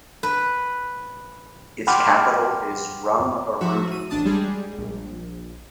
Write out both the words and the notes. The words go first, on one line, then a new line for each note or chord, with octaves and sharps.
Its capital is Rumuruti.
B4
F#5 G5 B5 C6 D6 F6
F3 F#4 E5
D#7
A1 D4 A5 D#6
G3 G#3 G#4
A#1